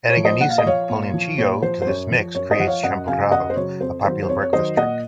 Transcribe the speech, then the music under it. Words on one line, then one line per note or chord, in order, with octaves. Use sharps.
Adding anise and "piloncillo" to this mix creates "champurrado", a popular breakfast drink.
C#5
F3
C5 D#5
A#2 F#5
F5
D#5
F3 C#5 F5
A#2
F3
A#2 C#5
F3 C5
C5
F#2 C#5
F3
F#2 C#5
C5 D#5
F3 F#5
C#5 F5
F#2 D#5 F#5
C#3 F#3 F5 G#5
F#2 D#5 F#5
C5
C#3 F#3 C#5
F2 C5
D#3 F#3 C5
C5
F2 C#5
C#5
D#3 F#3 C5 D#5
A#2 D#5 F#5